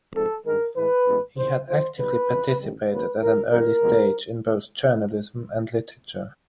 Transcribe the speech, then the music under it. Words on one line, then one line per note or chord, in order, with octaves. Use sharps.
He had actively participated at an early stage in both journalism and literature.
G#2 F3 G#3 C4 A4
G2 D#3 G#3 A#4
A2 E3 G#3 B4
A1 G2 E3 G#3 B3
E2 C3 D#3 C5
D#2 D3 F3 C5
B1 B2 G3 B4
F2 C#3 E3
A1 G#2 D#3 G3
D#2 C#3 F#3 A#3 B4
A1 A2 F3 A#4
F#2 D#3 G3 A#4
D2 C3 F3 G#3 B3